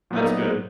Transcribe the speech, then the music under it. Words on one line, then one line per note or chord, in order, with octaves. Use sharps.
That's good.
A#2 F#3 B3 D#4